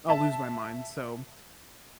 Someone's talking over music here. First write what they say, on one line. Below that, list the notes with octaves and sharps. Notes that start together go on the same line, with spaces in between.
I'll lose my mind, so,
E5 A5